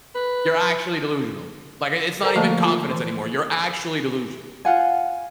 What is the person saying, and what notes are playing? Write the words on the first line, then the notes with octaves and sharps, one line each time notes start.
You're actually delusional. Like, i it's not even confidence anymore. You're actually delusional."
B4
A4 A#4 C5 D5 G#5 A#5
D3 F3 A3 A#3 D#5 A5
F4
E3
F4 F#5 G#5